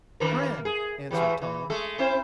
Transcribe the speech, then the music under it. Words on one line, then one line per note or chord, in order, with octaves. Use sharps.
"Friend," answered Tom.
F#2 D#3 A#4
G#4
E3 F#3 G3
E3
G#3 A3 A4
C4 E4 C5